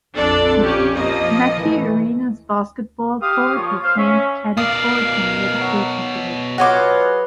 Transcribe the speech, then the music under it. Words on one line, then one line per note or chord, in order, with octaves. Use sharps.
Mackey Arena's basketball court was named "Keady Court" in dedication to him.
A#1 F2 D4 A4 D5
C#4 G4
F3 A#3 D#5
E3 A3
G4 F5 D#6
A#2 F3 F4 C#5
C5 F5
C#4 E5
B2 A#4 D5 F5 D#6
F#3
F4 F#4 G#4 B4 C#5 D#5 F#5 D6